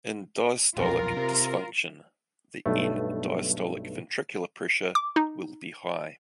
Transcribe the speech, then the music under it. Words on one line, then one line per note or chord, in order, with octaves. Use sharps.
In diastolic dysfunction, the end-diastolic ventricular pressure will be high.
D#1 B1 F2 F4 A#4
C3
B1 G2 A3
D6
D#4